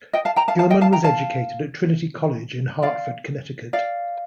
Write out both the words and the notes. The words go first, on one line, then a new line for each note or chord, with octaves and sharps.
Gilman was educated at Trinity College in Hartford, Connecticut.
D#5 G5
F5 A5
G5 A#5
F5 A5
F5 A5
D#5 G5
F5 A5
G5 A#5
F5 A5
D5 F5
D5 F5